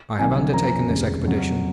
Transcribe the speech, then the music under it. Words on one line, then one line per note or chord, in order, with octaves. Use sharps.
I have undertaken this expedition.
C2 C3 D#3 F#3 G#5
F#2 F3 A#3 C#4 A#5
F1 D#2 C#3 G#3
F2 C#3 F#3